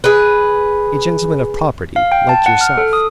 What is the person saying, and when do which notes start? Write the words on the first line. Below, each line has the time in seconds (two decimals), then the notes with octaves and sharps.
"A gentleman of property, like yourself."
0.04 G#4 B4
1.96 F5
2.12 G5
2.29 A5
2.46 F#5
2.61 F6
2.78 A4
2.93 D#6